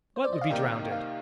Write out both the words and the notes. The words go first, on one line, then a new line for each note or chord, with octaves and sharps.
"What would be drownded?"
C5
D5
D#5
F5
C3 D#3 A#3 D#4 G5
F5